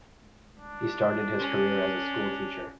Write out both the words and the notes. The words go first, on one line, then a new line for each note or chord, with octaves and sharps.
He started his career as a schoolteacher.
D4
C#4